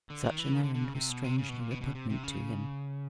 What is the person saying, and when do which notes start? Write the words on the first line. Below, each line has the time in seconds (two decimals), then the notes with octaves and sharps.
Such an errand was strangely repugnant to him.
0.10 D3
0.24 D#3
0.38 E3
0.53 D#3
0.64 D3
0.75 D3
0.84 C#3
0.95 C3
1.10 B2
1.24 C3
1.38 C#3
1.49 B2
1.60 A#2
1.71 B2
1.81 B2
1.95 C3
2.10 C3
2.23 C#3